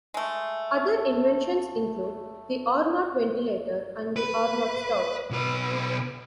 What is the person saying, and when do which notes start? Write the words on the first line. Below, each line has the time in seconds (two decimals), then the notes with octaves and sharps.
Other inventions include the Arnott ventilator and the Arnott stove.
0.14 G#3 A3
4.16 B4
5.30 B1 B4